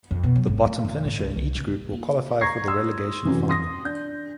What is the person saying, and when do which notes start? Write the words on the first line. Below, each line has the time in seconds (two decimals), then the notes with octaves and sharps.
The bottom finisher in each group will qualify for the Relegation Final.
0.11 F2
0.23 B2
0.36 F#3
0.47 G#1
0.65 A3
0.85 F2
1.05 G#2
1.19 C2
1.36 C2
1.56 C#3
1.71 D#1
1.92 A#3
2.41 A#5 C#6 G#6 A#6 C7
2.68 C6 D#6 E6
3.25 F1 F#2 E3
3.49 C6 D#6 A#6
3.84 D4 G6